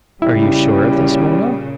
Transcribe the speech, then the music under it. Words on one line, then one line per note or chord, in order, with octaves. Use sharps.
"Are you sure of this, Mona?"
A#2 C#3 G3 E4